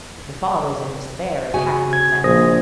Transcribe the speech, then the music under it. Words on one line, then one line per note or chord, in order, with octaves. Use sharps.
The fathers, in despair, attacked the exempts.
C#3 F#4 G#5
G#6
A#1 C5 D#6 A#6